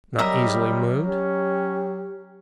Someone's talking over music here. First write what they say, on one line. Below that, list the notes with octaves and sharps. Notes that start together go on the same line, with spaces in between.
"Not easily moved?"
F#3 G3 A#4 D#5 E5
C#4 G4